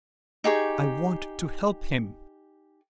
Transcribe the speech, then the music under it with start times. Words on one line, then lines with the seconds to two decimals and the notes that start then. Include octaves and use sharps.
I want to help him.
0.44 D#4 G4 G#4 C#6